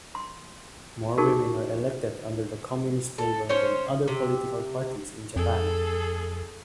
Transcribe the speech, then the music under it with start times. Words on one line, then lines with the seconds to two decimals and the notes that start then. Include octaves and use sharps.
More women are elected under the Communist label than other political parties in Japan.
0.15 C6
1.18 D#4 F#4 G#4 A#4 C#6
3.18 A4
3.49 C#4 C5 C#5
4.08 C3
5.36 F2 G#4 A4